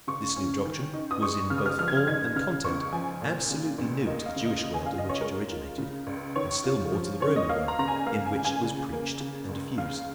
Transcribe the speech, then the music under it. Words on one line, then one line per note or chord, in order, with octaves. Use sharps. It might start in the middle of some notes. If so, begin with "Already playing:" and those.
This new doctrine was in both form and content absolutely new to the Jewish world in which it originated, and still more to the Roman world in which it was preached and diffused.
C#3 C#6
C#4
D#3
D#4
D#6
G#3 C#6
C#3 F6
D#6
F6
F3 F6
G#6
F6
D#4 G#6
C#3 F6
C#2 C#6
F3 G#5
A#2
C#3
C#2
A#3 D#5
F5
C#3
D#5
C#3
G#5
F5
F4
D#5
C#5
G#3 A#4
F4
C#3
C#2
D#3 C#5
F4
F3
C#4 C#5
D#5
A#3 F5
A#5
C#3 A#5
G#5
A#3 F5
G#5
C#3
G#5
C#3
A#3
C#3
C#2
C#3 F5